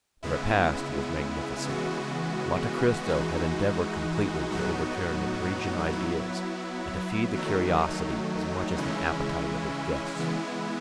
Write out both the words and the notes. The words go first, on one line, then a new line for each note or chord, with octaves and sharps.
The repast was magnificent; Monte Cristo had endeavored completely to overturn the Parisian ideas, and to feed the curiosity as much as the appetite of his guests.
C#3 G#3 B3 E4
C#3 E3 G#3 B3 F#4
E3 G#3 D#4 F#4
A2 F#3 B3 D#4 F#4
F#3 B3 E4
D#3 F#3 A3 D#4
C#3 E3 G#3 C#4 E4
E3 G#3 B3 E4